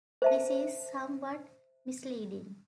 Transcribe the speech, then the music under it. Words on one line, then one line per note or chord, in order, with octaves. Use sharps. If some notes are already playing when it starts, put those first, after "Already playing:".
This is somewhat misleading.
C5 E5 A5